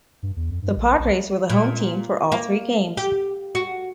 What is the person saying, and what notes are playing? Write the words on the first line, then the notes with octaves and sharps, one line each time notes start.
The Padres were the home team for all three games.
G2
E2
F2
G2
A#1
B1
A#2
A#3
G4
F#4